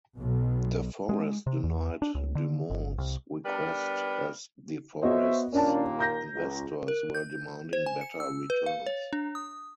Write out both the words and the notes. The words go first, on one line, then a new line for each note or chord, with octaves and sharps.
De Forest denied DuMont's request as De Forest's investors were demanding better returns.
B1
G#3
C3
E2
D4
C#2
D3
G1
C2
G3 B3 D4 A#4 B4 D5
B3 F#4 C5 C#5 D#5 E5
D#2 A#2 A#3 C#4 D4 A5
A#5 G6 A#6
C#2
A#4
G6
C5
G#5
C#7
E6
B4
F5
C#5
D4
D#6